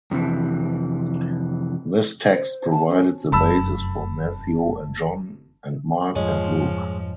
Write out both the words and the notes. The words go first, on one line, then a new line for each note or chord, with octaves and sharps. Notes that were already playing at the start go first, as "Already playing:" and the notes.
This text provided the basis for Matthew and John and Mark and Luke.
F2 C3 E3
C5
A5
C#4
F1 F#2 A5 B5 E6
F2 G#2 F3 G3 G#3 C#4